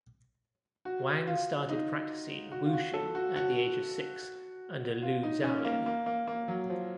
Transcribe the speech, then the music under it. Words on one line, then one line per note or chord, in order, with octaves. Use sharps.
Wang started practicing wushu at the age of six under Lu Xiaolin.
F#4
F4
D#4
F#4
F4
F#4
A4
F#4
F#4
F4
D#4
C#4
A#3
A#3
A#3
A#3
F#3
F3